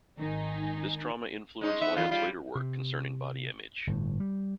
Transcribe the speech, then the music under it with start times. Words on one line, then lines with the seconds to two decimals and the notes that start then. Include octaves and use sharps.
This trauma influenced Lamm's later work concerning body image.
0.17 G#1 D#3 D#4 G#5
1.61 G#3 C#4 D#4
1.81 B3 E5
1.96 E2 B3 F4
2.11 G3 F4
2.55 C3
3.87 G1 A2
4.20 G3